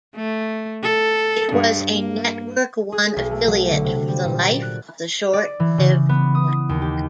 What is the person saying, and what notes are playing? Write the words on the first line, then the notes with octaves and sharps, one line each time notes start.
It was a Network One affiliate for the life of the short-lived network.
A3
A4
G2
A#3
G#4
B1
A3
F#3
D3
C3
G3
A#2
D5
F#6
D5
E3
C#3
B3
D#6
D#2
G4